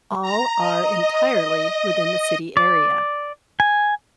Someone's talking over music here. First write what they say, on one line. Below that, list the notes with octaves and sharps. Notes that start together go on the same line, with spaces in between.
All are entirely within the city area.
A#5
D#5
D5
G#5